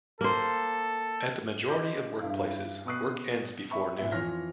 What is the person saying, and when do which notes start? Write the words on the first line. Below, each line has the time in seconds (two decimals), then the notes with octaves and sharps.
At the majority of workplaces, work ends before noon.
0.21 A#3 A4 C5
1.69 D#5 C6 D6 G6
2.20 G2 E4 F5
2.85 B2 B3 C#6 D#6 F#6 C7
3.71 E5 B5 C#6
3.98 G#1 A#2 E5
4.12 F2 E3 F4 C#5 F6 A#6